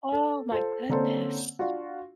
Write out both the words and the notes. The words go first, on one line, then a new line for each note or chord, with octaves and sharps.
Oh, my goodness.
A4
F4 A4 C5
D3 A#3 C4 C#4 A4 C5
D4 F4 F#4